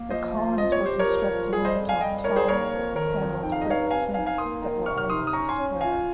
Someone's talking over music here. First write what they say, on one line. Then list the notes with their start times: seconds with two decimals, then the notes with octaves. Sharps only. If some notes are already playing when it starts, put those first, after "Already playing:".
The columns were constructed atop tall, paneled brick plinths that were almost square.
Already playing: A#3
0.10 F3 C5 D#5
0.34 F4
0.58 C4 D#5
0.72 C#5
0.82 G4 C5
0.99 A#4 C#5
1.06 F3
1.29 F3
1.53 G3 G#4
1.65 C5 D#5
1.77 F2
1.89 F5 G#5
2.01 G3 D#5 G5
2.24 D#3 A#4 C#5
2.36 G#4 C5
2.48 A#3 A#4 C#5
2.72 F2
2.95 D#3 A#4 C#5
3.20 F2
3.43 D#4 G5
3.52 F5
3.62 D#5
3.67 G2 C#5 F5
3.90 C4 F5 G#5
4.14 D#4 F5 G#5
4.26 F5 G#5
4.38 A#3 C6 D#6
4.61 D#3
4.86 C3 C#6 F6
4.98 C#6 F6
5.09 D#4 C6 D#6
5.27 D#6
5.33 C#4 A#5 C#6
5.49 G#5 C6
5.57 C#4
5.81 F4 F5 G#5